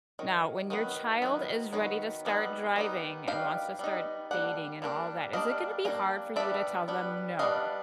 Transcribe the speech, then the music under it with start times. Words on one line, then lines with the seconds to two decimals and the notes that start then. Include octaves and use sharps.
Now, when your child is ready to start driving and wants to start dating and all that, is it gonna be hard for you to tell them "no?"
0.19 D#3 F#3
0.70 D#3 F#3 B3
1.22 D#3 F#3 B3
1.73 D#3 F#3 B3
2.25 G3 B3 D#4
2.76 G3 B3 D#4
3.27 G3 B3 D#4 F5 G5
3.79 G3 B3 D#4
4.31 G3 A#3 D4 F#5
4.82 G3 A#3 D4
5.33 G3 A#3 D4 D#5 F5
5.85 G3 A#3 D4
6.36 G3 B3 D4 D5 E5
6.88 G3 B3 D4
7.39 G3 B3 D4 D#5 F5